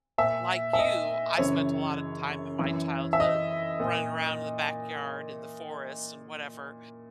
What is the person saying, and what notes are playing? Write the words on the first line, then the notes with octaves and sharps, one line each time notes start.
like you, I spent a lot of time in my childhood running around in the backyard, in the forest, and whatever.
A#2 E5
E5
D#5
F#2 C#3 E3 C#5
F#2 E3
E5
D#5
A#2